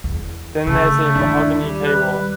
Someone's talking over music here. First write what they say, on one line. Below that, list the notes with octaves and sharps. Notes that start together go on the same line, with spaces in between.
Then there's a mahogany table.
E2
C#3 A3
D#2 G#2 D4 E4
G3
B4